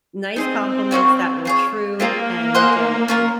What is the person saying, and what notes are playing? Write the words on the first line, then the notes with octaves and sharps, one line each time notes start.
nice compliments that were true and genuine.
C4 D#4 G#4 D#5
A#3 C#4 F#4 C5
F4 G#4 C#5
A#3 C4 F4 G#4
G#4 C5 D#5 F#5
C#4 F4 A#4